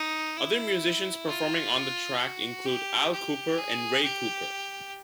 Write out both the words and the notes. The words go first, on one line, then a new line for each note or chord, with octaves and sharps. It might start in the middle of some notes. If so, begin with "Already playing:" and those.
Other musicians performing on the track include Al Kooper and Ray Cooper.
Already playing: D#4
E4
F4
F#4
G4
G4
G#4
G4